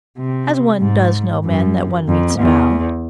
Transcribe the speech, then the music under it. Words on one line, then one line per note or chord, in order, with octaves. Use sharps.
"As one does know men that one meets about."
C3
G#2
F#2
F2
E2